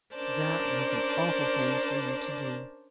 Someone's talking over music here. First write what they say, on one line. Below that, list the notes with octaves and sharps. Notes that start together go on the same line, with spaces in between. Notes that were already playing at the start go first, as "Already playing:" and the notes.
That was an awful thing for you to do.
C#4 D4 A#4 C5 D5 A5